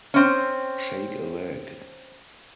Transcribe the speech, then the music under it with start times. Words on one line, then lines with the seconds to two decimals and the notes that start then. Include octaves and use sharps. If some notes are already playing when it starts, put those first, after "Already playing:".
Shake a leg.
0.14 C4 C#4